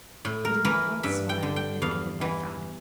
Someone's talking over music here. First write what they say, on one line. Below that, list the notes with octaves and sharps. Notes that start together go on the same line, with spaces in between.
He did not once smile, and ended by frowning.
A2
A#4
E3 A#4
G2 E5
G5
D3
G5
E2 F5
E3